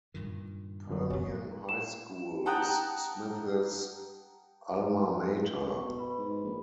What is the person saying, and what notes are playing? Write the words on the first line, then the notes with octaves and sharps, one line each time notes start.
Permian High School is Smith's Alma Mater.
G2 A#2 D#3
G1 F#2 F#3
D#1 E2 C#4
E7
F#5 G5 A5 A#5 D#6 F#6
B2 C#6
B4 B5
G#2
A#1